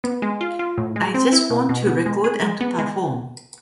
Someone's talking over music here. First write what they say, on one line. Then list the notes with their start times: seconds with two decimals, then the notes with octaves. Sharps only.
I just want to record and perform.
0.04 B3
0.22 G#3
0.41 F4
0.59 F4
0.78 A2
0.96 G#3
1.14 C4
1.33 E4
1.50 B2
1.69 B2
1.87 B3
2.06 G#3
2.24 G#4
2.43 G#3
2.61 B3
2.79 G#3